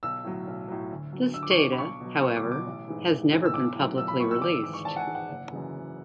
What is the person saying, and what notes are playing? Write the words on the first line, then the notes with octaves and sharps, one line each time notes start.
This data, however, has never been publicly released.
B1 E6
A2 F#3
B1
A2 F#3
D2
D3 F#3
D2 E6
D6
C#6
D3 F#3 D6
B5
B1 C#6
B2 F#3
B1 C#6
D6
B2 F#3
D6
A1
G#2 E3
A1
G#2 E3
E6
B1 D6
A2 F#3
B1 E6
B5
A2 F#3 C#6
E6
G#1 D6
E6
G#2 E3 D6
C#6
G#1 A5
F#5
G#5
G#2 E3
F#5
F#1
F#2 C#3 E3
F#1